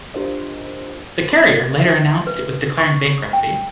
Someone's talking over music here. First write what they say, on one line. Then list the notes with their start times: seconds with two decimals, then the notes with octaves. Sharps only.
The carrier later announced it was declaring bankruptcy.
0.14 D4 F4 G4 A#4 C5 D#5
1.80 E5
2.27 B4
2.78 C#6
3.33 G5